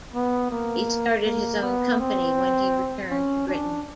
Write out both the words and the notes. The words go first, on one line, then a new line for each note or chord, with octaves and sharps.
He started his own company when he returned to Britain.
B3
A#3
A#3
B3
C4
C#4
D4